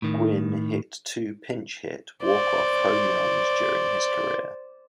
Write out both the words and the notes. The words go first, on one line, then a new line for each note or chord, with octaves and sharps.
Gwynn hit two pinch-hit walk-off home runs during his career.
A2 D#3
C5 D5